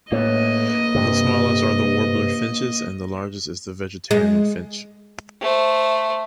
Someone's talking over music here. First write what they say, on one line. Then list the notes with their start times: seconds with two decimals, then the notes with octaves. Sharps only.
The smallest are the warbler-finches and the largest is the vegetarian finch.
0.12 A2 A#3 A4 B4 D#5
0.95 G2 C3
4.11 G#3
5.41 A3 C5